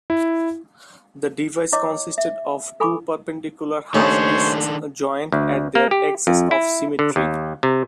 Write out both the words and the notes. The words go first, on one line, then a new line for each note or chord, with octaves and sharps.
The device consisted of two perpendicular half discs joined at their axes of symmetry.
E4
E4 C#5 D#5 D6
E5
A4 G#5 B5 C#6 D6
D#2 D#3 A3 C#4 D4 C5 C#5 A5
D2
A#3
G4
F2
E4
D3
D#2
C3